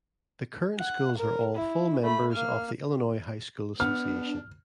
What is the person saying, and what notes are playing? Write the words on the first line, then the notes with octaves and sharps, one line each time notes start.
The current schools are all full members of the Illinois High School Association.
F#5
A#4
E4
A3 B5
A#3 F6
B3 D4 F6